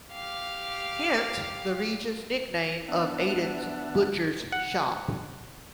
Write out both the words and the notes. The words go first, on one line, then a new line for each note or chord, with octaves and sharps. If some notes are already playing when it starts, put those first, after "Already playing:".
Hence, the region's nickname of "Aden's butcher's shop".
G4 F5
B3 D4 E5 F#5 A5
F#5